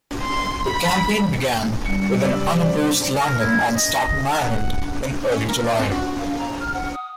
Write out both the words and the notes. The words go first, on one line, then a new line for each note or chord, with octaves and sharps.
The campaign began with an unopposed landing on Staten Island in early July.
C6
B5
G3 C#7
C3 G3 D5 E6
C5
A#4
E4
D#5
F#5
C#4
A#4
D5
C4
F#4
F5
A#5
F6
F#5
D#6